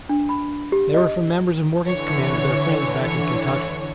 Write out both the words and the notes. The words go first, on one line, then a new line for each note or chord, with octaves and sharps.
They were from members of Morgan's command to their friends back in Kentucky.
D4
B5
G4
D#5
D3 E3 C#5
C#5